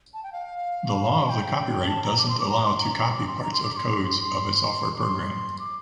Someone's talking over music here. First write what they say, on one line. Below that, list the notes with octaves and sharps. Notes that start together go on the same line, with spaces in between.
The law of the copyright doesn’t allow to copy parts of codes of a software program.
A5
G5
F5
A5
G5
A5
A#5
D6
C6
D6
A#5
C6
A#5
A#5
D6
C6
A#5
C6
D6
D6
C6
C6
C6
D6
C6
D6